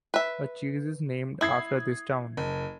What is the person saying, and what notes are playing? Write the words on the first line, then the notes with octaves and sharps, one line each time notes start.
A cheese is named after this town.
B4 E5
E4 D#6 G#6 C7
F#1